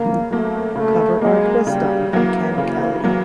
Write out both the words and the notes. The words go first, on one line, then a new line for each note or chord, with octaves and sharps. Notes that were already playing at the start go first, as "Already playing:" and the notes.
Cover art was done by Ken Kelly.
Already playing: C#3 A#3
F#3 A3 A#3
C#3 A3
F#3 G#3 A#3
C#3 G3
E3 F#3 A#3
C#3
F#3 A#3